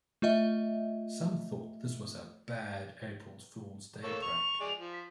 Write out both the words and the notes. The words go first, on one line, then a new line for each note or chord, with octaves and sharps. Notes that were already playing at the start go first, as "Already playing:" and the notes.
Some thought this was a bad April Fool's Day prank.
A3 F4 D#5 E5
A#3 A4 C#5
C#6 F7
G#3 G#4 D5
F3
B6